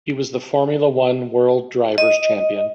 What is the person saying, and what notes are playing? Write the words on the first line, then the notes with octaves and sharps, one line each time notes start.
He was the Formula One World Drivers' Champion.
D#5